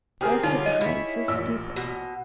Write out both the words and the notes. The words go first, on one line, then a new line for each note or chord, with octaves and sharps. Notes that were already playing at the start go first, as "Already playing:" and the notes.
I left it behind; so stupid!'
C4 G4 G#4 A#4 G#5 D#6 F6
D3 G3 C#4 D#4 F4 D5
D#5 D#7
E4 C#5
A1 A#2 E6
B2